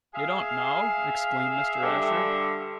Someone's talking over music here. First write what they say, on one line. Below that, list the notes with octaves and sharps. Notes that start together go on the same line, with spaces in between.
"You don't know!" exclaimed Mr. Asher.
G#4 E5 F5
G2 D3 E5